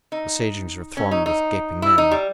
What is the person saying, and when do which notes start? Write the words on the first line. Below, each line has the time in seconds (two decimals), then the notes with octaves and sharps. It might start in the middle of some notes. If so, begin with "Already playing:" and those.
The stagings were thronged with gaping men.
0.12 D#4
0.97 C#4
1.11 D#4
1.26 D#4
1.82 E4
1.98 D#4
2.11 G3